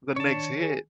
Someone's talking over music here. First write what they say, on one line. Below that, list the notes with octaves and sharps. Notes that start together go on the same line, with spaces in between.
the next hit."
D#3 D4 C#5 A5
G#4